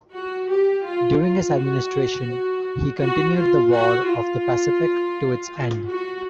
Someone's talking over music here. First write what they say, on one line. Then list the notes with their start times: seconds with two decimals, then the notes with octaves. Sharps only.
During his administration, he continued the War of the Pacific to its end.
0.13 F#4
0.48 G4
0.84 F4
1.19 F4
1.56 F#4
2.99 F#4
3.36 F4
3.71 F#4
4.06 F4
5.86 F#4